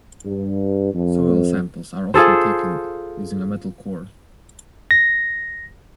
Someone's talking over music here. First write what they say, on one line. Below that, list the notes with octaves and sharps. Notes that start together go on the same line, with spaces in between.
Soil samples are often taken using a metal core.
G2
F2
F4 G#4 A4 C5
A#6